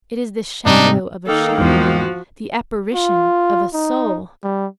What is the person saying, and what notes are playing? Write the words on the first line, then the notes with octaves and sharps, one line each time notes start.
It is the shadow of a shadow, the apparition of a soul!
G#2 C3 G3 D4 D#4
D#3 A#3 D#4 A4
E2 G#2 F3 F#4
F4
D#4
G3